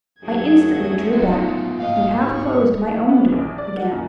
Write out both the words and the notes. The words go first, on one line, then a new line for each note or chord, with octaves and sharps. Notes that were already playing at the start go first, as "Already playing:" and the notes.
I instantly drew back, and half-closed my own door again.
F#2 D#3 F#3 A3 G#4 G#6
F3 B3 D#4 F4
G#2 A#3 D#5 F5
D#2 B3 C#6
B3
A#1
D5
F#5
F#2